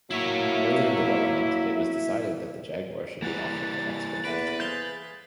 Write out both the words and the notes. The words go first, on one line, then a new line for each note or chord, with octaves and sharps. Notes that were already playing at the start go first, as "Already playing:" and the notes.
Early in development, it was decided that the Jaguar should be offered for export.
F#3 A#3 E4 C#5 E5
E3 G3 A#3 F#5 A#5 A6
E2 D3 B4 D6
G#4 C5 F5 C6 G6